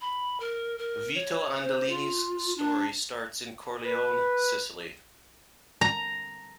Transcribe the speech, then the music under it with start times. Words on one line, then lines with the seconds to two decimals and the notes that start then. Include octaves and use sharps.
Vito Andolini's story starts in Corleone, Sicily.
0.01 B5
0.40 A#4
0.79 A#4
1.15 C#5
1.62 C5
1.89 F4
2.57 D4
3.85 B4
5.81 A#5